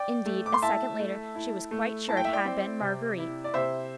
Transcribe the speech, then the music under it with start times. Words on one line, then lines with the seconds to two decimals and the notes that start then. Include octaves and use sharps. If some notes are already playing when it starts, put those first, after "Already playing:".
Indeed, a second later, she was quite sure it had been Marguerite.
Already playing: D5 G5
0.26 A3
0.46 D6
0.54 C6
0.62 E4 E5 A5
0.99 A3
1.35 E4
1.71 A3
2.09 E4 A5
2.17 G5
2.25 E5
2.33 D5 G5
2.45 C4
2.81 C3
3.18 E4
3.44 D5
3.54 C3 C5 E5